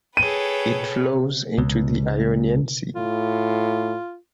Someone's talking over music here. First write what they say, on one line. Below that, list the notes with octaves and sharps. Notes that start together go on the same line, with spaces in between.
It flows into the Ionian Sea.
G#4 A4 B4 C#5 G5 D#7
C#2
A2 F4